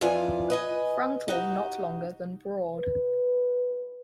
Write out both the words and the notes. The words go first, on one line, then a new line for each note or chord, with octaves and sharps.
Frontal not longer than broad.
F2 E3 F3 F4 D5 G#5
B4 D#5 G#5
D#4 F#4 G4
B4